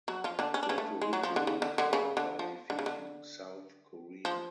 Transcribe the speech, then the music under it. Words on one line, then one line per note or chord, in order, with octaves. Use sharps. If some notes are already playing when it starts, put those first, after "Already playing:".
Puerto Rico recovered by defeating South Korea.
F#3 F#4
F3 F4
D3 D4
C#4
D4
C#3 C#4
A3
G#3
F#3
F3
D3
C#3
D3
D3
C#3
D3
F3
D3
C#3
D3
F3